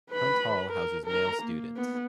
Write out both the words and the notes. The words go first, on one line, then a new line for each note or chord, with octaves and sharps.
Hunt Hall houses male students.
B4 B5
A#4
A#4 A#5
A#3
B3